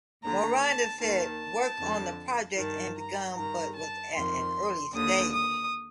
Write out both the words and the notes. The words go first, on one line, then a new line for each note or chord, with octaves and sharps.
Miranda said work on the project had begun but was at an early stage.
D#2 D3 A#5
A5
D#2 D#3 A5
F2 D3
G2 D#3 A5
A#5
G2 D#3 A#5
A5
F2 D#3 C6
D#2 D3 D#6
D#6